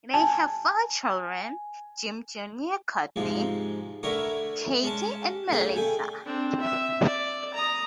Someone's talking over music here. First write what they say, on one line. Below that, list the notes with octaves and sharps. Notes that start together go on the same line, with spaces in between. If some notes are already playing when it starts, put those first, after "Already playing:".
They have four children, Jim Junior Courtney, Katie and Melissa.
G#5 A5
G#2 C3 F3 G#3
D3 A3 E4 A#4 C#5
G#3 C#4 A5
D2 C#3 G#4 G5
A3 G5 G#5
C4 D4
E5
D5
A#5 D#6